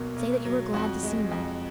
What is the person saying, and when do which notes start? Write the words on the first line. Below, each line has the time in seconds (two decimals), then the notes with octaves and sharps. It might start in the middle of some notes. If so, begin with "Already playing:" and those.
"Say that you are glad to see me."
Already playing: B1 B2 F#3 A#3
0.16 B1
0.45 F#3
0.74 F2 F#4
1.03 G#3
1.31 F2